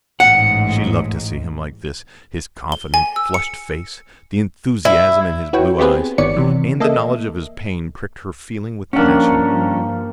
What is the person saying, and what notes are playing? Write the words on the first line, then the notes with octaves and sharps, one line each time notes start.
She loved to see him like this, his confident, flushed face, the enthusiasm in his blue eyes; and the knowledge of his pain pricked her feeling with passion.
A1 G#2 F#5
G7
G#5
E6
C#7
E4
E4 F#4 B4 C#5 G5
B3 C4 G4 G#4 B4 C5
G1 D#3 B3 C#5 D5 C#7
C3 E3
A#3 A4 D#5 E5
G2 F3 A#3 C#4 D4 F5 G5